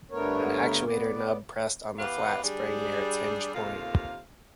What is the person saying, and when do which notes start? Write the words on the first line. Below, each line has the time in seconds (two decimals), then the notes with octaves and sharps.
An actuator nub presses on the flat spring near its hinge point.
0.11 G2 D3 A3 B3 A#4 C#5
0.85 B3 D5
1.99 E3 B3 G4 B4 F5
2.43 G3 D4 G#4
3.54 D#2 C3 A#3 F4 A4 F5